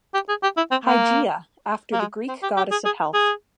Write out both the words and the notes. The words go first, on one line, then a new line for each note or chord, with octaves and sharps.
Hygeia after the Greek goddess of health.
G4
G#4
G4
E4
C4
A#3
A#3
G#3
C4
G4
G4
G#4
G#4
G#4